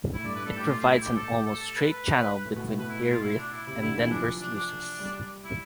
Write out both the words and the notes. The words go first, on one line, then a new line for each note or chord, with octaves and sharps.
It provides an almost straight channel between Earith and Denver Sluices.
A2 E4
G2 D5
A2 B4
G2 A4
A2 G4
F4
F4
E4
G4
A4
G4
A4
A4
B4
A2
B2
A2
B2 B4
E4
E4
F4
E4
D4
E4
C3 E4
D3 E4
E3 E4
F3 D4
D4
D4
G3
E4